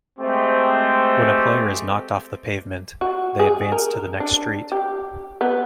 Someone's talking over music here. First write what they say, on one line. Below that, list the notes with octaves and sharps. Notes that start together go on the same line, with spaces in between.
When a player is knocked off the pavement, they advance to the next street.
G#3 A3 C4 G4
F#4
G#4
A#4
D4
G4
B3